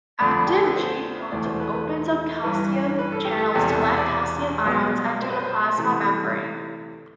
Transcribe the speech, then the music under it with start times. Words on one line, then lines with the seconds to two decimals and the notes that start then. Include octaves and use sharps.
Active G-protein open up calcium channels to let calcium ions enter the plasma membrane.
0.20 F2 D3 A3 D5
0.47 G4
0.57 A4
0.67 B4
0.76 C5
1.20 E5
1.32 E1 D2 C3 E3 A3 D5
1.46 C5
1.60 B4
1.73 B4
2.43 G1 G2 E3 B4
2.99 B4
3.12 A4
3.25 G4
3.38 A4
3.54 E1 E2 C3 G4
3.69 A4
3.82 E5
3.96 D5
4.66 B1 B2 G3 B3
5.21 C5
5.30 B4
5.38 C5
5.78 C3 E3 A3